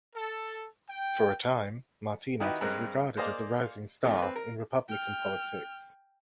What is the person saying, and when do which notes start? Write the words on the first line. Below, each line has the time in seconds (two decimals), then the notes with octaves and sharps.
For a time, Martinez was regarded as a "rising star" in Republican politics.
0.16 A4
0.89 G5
2.40 D#3 D#4 E4 F#4 G4 B4
2.61 G2 G#3 C4 A#4 F#6
3.17 A#3 G#4 C5 D5 D#5 F5
4.04 C3 D#3 F3 A3
4.18 C4 B4
4.36 A#4
4.88 G5 F6